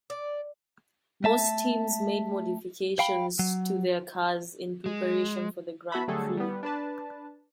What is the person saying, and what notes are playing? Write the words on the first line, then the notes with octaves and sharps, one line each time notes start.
Some teams made modifications to their cars in preparation for the Grand Prix.
D5
A3 E5 A5
F5 G5 B5
F#3
G#3
B3 F#4 E5 A5 B5
D3 F#3 G3 A3 G#4 A4
G3 B3
D4 B4 A5